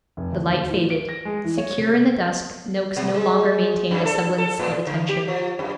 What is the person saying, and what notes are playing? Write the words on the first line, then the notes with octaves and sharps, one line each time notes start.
The light faded. Secure in the dusk, Noakes no longer maintained a semblance of attention.
F1
D2
D#2
A2
D7
A#6
G#3
E3
C#5
C3
B2
G#3
F#2
A4
A4
A2
D3
G4
F3
F#2